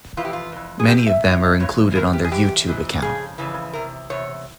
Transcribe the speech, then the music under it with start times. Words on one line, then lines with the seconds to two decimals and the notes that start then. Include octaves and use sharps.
Many of them are included on their YouTube account.
0.17 F2 E3 F4
0.25 G4
0.33 F4
0.52 F2 E3
0.79 G#4
0.88 E3 G4
0.92 E2
1.07 E5
1.24 E2 E3 C#5
1.60 G2 E3 C#5
1.95 G2 E3 A#4
2.13 G4
2.24 G#4
2.31 G#2 E3 G4
2.67 G#2 E3
3.02 F2 C#3 G#4
3.38 F2 C#3 E3
3.73 E2 C3 A#4
4.10 E2 C3 C#5